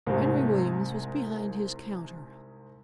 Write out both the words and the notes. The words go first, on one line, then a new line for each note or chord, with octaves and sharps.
Henry Williams was behind his counter.
C2 G#2 C3 A3 C4